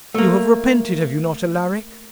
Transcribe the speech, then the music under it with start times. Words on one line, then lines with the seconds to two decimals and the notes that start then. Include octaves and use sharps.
You have repented, have you not, Alaric?'
0.15 A3 A#3